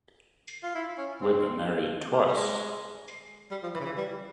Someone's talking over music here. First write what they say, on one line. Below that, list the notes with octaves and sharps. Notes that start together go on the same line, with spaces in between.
Weber married twice.
F4
E4
C#4
C4
A#3
G3
G#3
G3
F3
E3
C#3
E3
G3